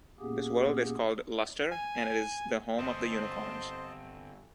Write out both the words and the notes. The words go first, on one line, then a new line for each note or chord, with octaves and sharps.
This world is called Luster and it is the home of the unicorns.
A#2 A#3 B3 C#4 G4 G#4
G#5
G1 C4 A4 C5 D#5 A5